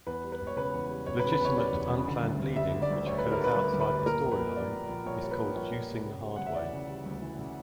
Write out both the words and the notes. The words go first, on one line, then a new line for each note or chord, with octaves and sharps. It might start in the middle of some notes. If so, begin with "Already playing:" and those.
Legitimate, unplanned bleeding which occurs outside the storyline is called juicing the hard way.
E2 B4
G3
B4
E1
C#5
C#3 B4
E2
G3
E1 C#5
B4
C#3
B4
E2 C#5
G3 D5
E1
C#3
D3
D2
D2
G3 E5
D3
D5
D2
D2 C#5
B4
G3
A#4
D3 B4
D2 B4
D2
B4
G3
A#2 A#4
A#1
B4
A#1
G3 D5
A#2
A#1
A#1 C#5
G3 C#5
B4
A#2
A#1 C#5
A#1
G3
C#3
G3
D2 F#5
E5
E3 D5
C#3
G3
D2
E3
C#3